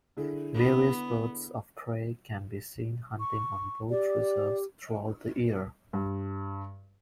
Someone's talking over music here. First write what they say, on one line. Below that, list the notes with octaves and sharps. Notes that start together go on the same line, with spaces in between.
Various birds of prey can be seen hunting on both reserves throughout the year.
D3 E4 G#4
B3
C#6
G4 D5
G2